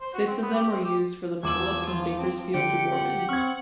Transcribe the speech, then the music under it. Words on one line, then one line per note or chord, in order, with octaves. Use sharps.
Six of them were used for the pull up from Bakersfield to Gorman's.
C5
F#4
C4
B3
G4
C4
G4
E2 F3 D6 E6 G#6 F#7
F4
C4
D3 F4 G4 C#7 D7
F#5
C4 C#6 F6 G#6